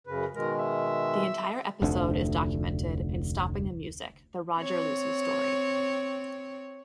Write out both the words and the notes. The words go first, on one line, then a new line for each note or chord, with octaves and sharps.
The entire episode is documented in Stopping the Music: The Roger Lucey Story.
F#2 C#3 A#4 B4
B2 D#3 G#3 A#4
E5
F1 D2 D3
C4 C#5